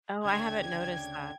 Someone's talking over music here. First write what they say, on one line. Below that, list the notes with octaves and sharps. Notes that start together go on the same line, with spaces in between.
Oh, I haven't noticed that.
D2 C#3 D4 G5 G#6